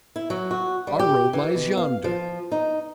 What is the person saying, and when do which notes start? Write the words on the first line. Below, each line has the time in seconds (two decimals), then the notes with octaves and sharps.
"Our road lies yonder."
0.16 E4
0.30 F#3
0.51 F#4
0.87 G3
0.99 G4
1.33 E3
1.55 B2
1.77 F5
2.04 F3
2.52 D#4